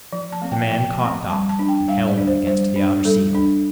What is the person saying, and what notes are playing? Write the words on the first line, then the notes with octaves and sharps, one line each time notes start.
The man caught Doc and held him against the outer seal.
F3
A5
A3 C4
G5
F3 G5
A3 C4
G3 A5
A5
D4
G5
G3 F5
D5
D4
C5
G3 C5
D4
G3 A4
D4